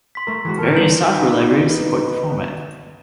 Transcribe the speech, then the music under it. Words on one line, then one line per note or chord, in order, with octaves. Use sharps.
Various software libraries support the format.
C6 B6
A3 A#4
E3 G#3 F#4
A4 A#4
G3 B3 G6 F#7
D#4 B4